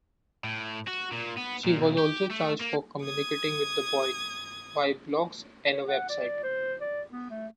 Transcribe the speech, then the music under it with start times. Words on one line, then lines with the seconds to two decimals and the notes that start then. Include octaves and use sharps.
She was also charged for communicating with the boy via blogs and a website.
0.44 A2
0.88 F#4
1.12 A#2
1.38 B3
1.66 A#2
1.79 B1
1.98 G4
2.31 A3
2.60 A#3
3.04 D#6 G#6
5.73 C#5
5.88 F#5
6.09 D5
6.43 C5
6.81 D5
7.12 B3
7.30 A3